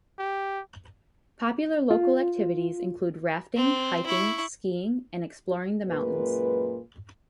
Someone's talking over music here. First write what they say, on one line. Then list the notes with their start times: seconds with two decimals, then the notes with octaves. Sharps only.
Popular local activities include rafting, hiking, skiing and exploring the mountains.
0.19 G4
1.91 F4
3.56 C4
4.06 E4 C#6
5.89 F#2 A#2 G#3 B4